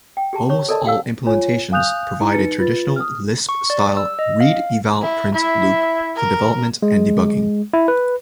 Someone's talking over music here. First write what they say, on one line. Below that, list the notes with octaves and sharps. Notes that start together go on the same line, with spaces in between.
Almost all implementations provide a traditional Lisp-style read-eval-print loop for development and debugging.
G5
G4 G#4 A5
C#5 C#6
A4 A#4 D5 D#5 A5
G4 F5 E6
F4 C#5 G#5
F5 G#5 D#6 F#6 G6 F7
D#4 E4 A#5
D#4 B4 A6 C#7
F4 B4 A6
D#6 F6
C#6
D5
E6
D#5
F5
E4
E4 E5
A#4
G#3
E4
B4